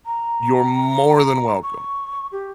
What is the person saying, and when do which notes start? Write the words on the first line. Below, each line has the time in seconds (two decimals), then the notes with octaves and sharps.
You're more than welcome.
0.06 A#5
1.63 C#6
2.32 G4